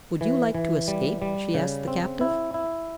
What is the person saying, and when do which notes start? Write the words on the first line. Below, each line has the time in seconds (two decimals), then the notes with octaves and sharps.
"Would you like to escape?" she asked the captive.
0.21 E3
0.55 E3
0.88 G3
1.22 G3
1.54 C#3
1.88 C4
2.21 E4
2.54 E4